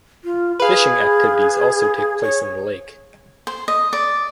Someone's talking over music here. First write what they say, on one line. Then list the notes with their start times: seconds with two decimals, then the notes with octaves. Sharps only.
Fishing activities also take place in the lake.
0.24 F4
0.60 G#4 B4 F5
2.23 C#5
3.47 C5
3.68 D#5
3.93 D5